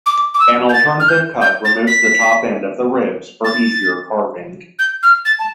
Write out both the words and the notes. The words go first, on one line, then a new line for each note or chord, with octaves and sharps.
An alternative cut removes the top end of the ribs for easier carving.
D6
D6
E6
G6
A6
F6
G6
G6
A6
B6
A6
G6
F6
A6
A5